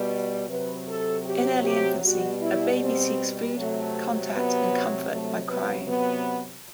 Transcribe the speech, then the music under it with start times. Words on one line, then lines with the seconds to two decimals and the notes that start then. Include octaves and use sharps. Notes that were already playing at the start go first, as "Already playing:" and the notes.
In early infancy, a baby seeks food, contact, and comfort by crying.
Already playing: B2 G3
0.48 C3 F#3 B4
0.87 A4
1.25 G4
1.63 G4
2.01 B2 G3 F#4
2.41 E4
2.79 C4
3.55 C3 F#3 A3
4.33 B3
5.09 C3 F#3 A3
5.48 B3
5.87 B3